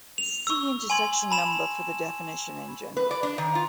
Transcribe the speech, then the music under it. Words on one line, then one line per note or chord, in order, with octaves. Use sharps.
See intersection number for the definition in general.
F7
C#6 E6
G#5 C6 G#6 F#7
A5 B5 E7 F7
B4
D5
D4
D#3
F4